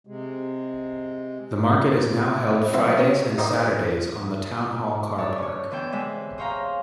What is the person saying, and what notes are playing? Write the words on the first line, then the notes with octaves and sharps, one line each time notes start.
The market is now held Fridays and Saturdays on the town hall car park.
C3 G#3
F#3 C4 F4 B4 C5 E5
C#4 F4 C#5
D#4 G4 A#4 C5 D5 D#5
C#5 D5 A5
C#4 C#5
D3 E3 B3 E5 G5
C3 G#3 E5
G#4 C5 C#5 F5 A#5